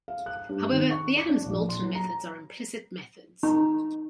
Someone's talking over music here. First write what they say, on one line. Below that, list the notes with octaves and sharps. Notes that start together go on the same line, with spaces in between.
However, the Adams-Moulton methods are implicit methods.
F5
F#6
G2
D#3
C#6
D6
D4
A#1
C6
F#3
A#5
D#4